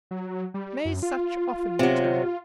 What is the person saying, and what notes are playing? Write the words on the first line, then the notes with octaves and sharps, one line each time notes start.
May such often return.
F#3
G3
F#2
F4
C3 F#3